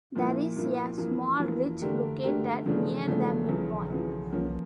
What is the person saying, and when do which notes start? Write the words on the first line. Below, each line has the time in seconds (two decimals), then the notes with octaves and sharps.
There is a small ridge located near the midpoint.
0.15 A#2 F3 A#3 E4
0.56 A#2 F3 A#3 E4
0.98 F2 E3 A#3
1.39 F2 E3 A#3
1.82 D3 A3 D4 G4 A#4
2.24 D3 A3 D4 G4 A#4
2.66 E2 C#3 F3 A3 D4
3.07 E2 C#3 F3 A3 D4
3.49 E2 C#3 F3
3.90 E2 C#3 F3
4.32 F3 A#3 C#4